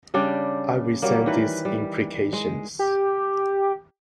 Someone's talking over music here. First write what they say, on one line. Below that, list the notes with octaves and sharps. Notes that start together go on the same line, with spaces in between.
I resent these implications.
C#3 G3 D4 G5
F#3 G3 A#3
D#3 E3 B4
G3
G#3
G4